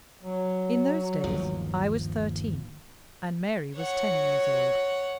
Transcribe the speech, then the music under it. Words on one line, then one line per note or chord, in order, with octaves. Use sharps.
In those days I was thirteen, and Mary was ten years old.
F#3
G1 D#2 F3
C#5 F#5